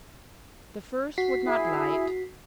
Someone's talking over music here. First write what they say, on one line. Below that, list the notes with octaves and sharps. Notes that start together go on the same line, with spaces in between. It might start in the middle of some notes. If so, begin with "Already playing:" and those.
The first would not light.
F#4 B6 C7
E4 G#4